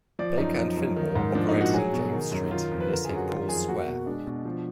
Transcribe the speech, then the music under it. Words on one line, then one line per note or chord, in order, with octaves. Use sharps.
Baker and Finnemore operated in James Street, near Saint Paul's Square.
F3 D5
F#2 D#4
F3
F#2
D#3
G#2
F3 D4
D#4
A#2
F#4
F#3 G#4
B2
D#3
F#2
D#3 F4
F2
B4
D3 A#4
F#2 G#4
F#4
D#3 F4
F2 G#4
A#3 F#4
B2
G#3 D4
B2
F3